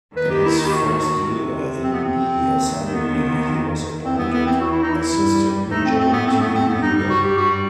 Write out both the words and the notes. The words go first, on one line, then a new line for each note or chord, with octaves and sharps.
In his first year in the Assembly, he was appointed Assistant Majority Leader.
D#2 D#3 B4
G4
E4
D#4
G4
F#4
C3
C4
B3
C4
D#2 D#3
B3
E2 E3 C4
B3
B3
C4
F#4
E4
D#4
E4
G2 G3
A2 A3 D#4
C4
C4
B3
C4
B3
C4
B3
G2 G3 D#4
D#4
F#4
G4
F#4